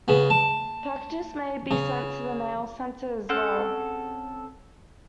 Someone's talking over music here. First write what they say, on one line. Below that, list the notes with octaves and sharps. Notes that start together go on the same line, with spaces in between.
Packages may be sent to the mail center as well.
C#3 B3
A5
C#3
C4 C#4 A4 F#5